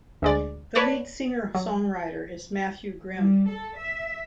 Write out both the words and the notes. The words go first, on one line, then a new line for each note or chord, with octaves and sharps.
The lead singer-songwriter is Matthew Grimm.
D2 G#3 D5
B4 C#5 D5 A5
F#3
G3
A4
E5